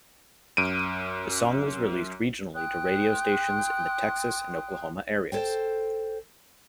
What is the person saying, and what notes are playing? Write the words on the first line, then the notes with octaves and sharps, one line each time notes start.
The song was released regionally to radio stations in the Texas and Oklahoma areas.
F#2 D7 D#7
G5 C6 D#6 F#6
A4 C5 G5